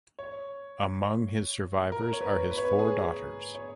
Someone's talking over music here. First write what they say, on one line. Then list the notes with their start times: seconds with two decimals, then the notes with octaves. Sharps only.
Among his survivors are his four daughters.
0.19 C#5
1.92 A#4
2.13 C#5
2.21 B4
2.51 B4
2.58 C#5
2.65 B4
2.79 G#4
3.55 C#5